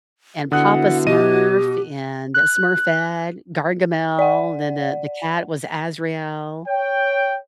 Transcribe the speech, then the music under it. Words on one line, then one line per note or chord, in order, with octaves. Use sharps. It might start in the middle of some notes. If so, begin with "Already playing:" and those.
And Papa Smurf, and Smurfette, Gargamel, then the the cat was Azrael.
D3 B3 E4 F#4 F#5 D#6 F#6
B2 G4 D#5 D#7
F#6
D5 F#5
C#5 G5